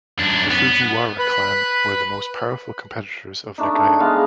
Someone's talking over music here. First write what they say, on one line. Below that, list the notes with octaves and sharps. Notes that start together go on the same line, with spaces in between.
The Fujiwara clan were the most powerful competitors of Nagaya.
F#2 D4
B3
B4 B5
A3 D4 D#4
G#3 B3 D#5 F5